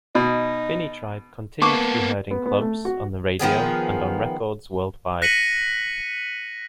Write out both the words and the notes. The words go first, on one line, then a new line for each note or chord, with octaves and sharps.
Finitribe continue to be heard in clubs, on the radio and on records worldwide.
B2 D#4
A#3 B3 A5 C#6 D6
B3
B3
A3
F#4
D#3 F3 B3 G#4
F#6 A#6 B6 C#7 D#7 F#7